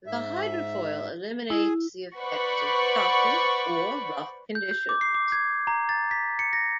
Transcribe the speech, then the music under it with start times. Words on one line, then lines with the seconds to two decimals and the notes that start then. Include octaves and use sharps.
The hydrofoil eliminates the effects of choppy or rough conditions.
0.06 G#2 E5
1.50 E4 G#4 G#5
2.18 B4 C5 D5 F#5 B5 C#6
4.55 G6
4.71 G6
4.89 D6
5.01 C7
5.14 D6
5.32 G#6
5.67 A#5
5.89 A6
6.11 B6
6.39 C#7
6.53 A#6